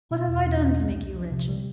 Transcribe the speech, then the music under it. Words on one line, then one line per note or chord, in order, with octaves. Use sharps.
"What have I done to make you wretched?"
B2
E2
E2
D4
C2
C2
F3
C3
G3